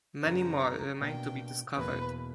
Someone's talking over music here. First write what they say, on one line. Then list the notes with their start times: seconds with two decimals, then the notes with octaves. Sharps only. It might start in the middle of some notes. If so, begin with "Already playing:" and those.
Many more remain to be discovered.
0.24 F#2 C#3 F#3 B3 D4 A#5
1.00 B2 A#3 D4 G5
1.77 E2 B2 A#3 B4